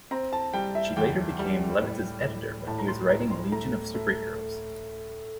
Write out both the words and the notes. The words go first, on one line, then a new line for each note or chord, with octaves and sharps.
She later became Levitz's editor when he was writing "Legion of Super-Heroes".
C4 A#5
A5
G3 G5
E5
E2 G5
G3
A2
A2
A2 A5
A#5
C6
A2 A#5
C6
A3 A#5
A3